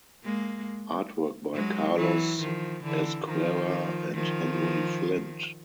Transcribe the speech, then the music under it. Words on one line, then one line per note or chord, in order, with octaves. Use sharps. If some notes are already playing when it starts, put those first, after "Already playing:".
Artwork by Carlos Ezquerra and Henry Flint.
G#3 A#3
F#3 G#3
E3 F#3
D#3 F3
D3 E3
D#3 F3
D#3 F3